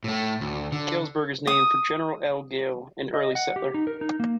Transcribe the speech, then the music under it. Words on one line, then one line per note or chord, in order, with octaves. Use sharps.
Galesburg is named for General L. Gale, an early settler.
A2 A3
D2
D3
D#6
D#5
F#5
G4
D#4
A#4
D#4
A#3